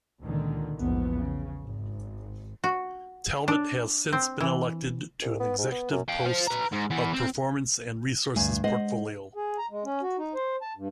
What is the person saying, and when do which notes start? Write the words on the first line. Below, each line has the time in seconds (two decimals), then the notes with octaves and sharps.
Talbot has since been elected to an Executive post of Performance and Resources Portfolio.
0.21 C#2 A#2 D3 D#3
0.75 A#1 E2 G#2 B3
1.17 C#3
1.62 G#1
2.64 F#4
3.48 D4
4.13 C4
4.40 E3
5.22 C2
5.40 B3
5.58 G#2
5.72 B3
5.91 F#2
6.09 F5 G5
6.26 C5 F5
6.47 B4 A#5
6.72 G#2
6.91 E3 B3
7.14 C4
8.36 D2 G2 G#3 A3 G#5
8.64 G#3 C5 D#5 F#5
9.36 G#4
9.58 A#5
9.70 G#3
9.85 C#4
10.02 F#4
10.19 D#4
10.34 C5
10.62 A5
10.76 G2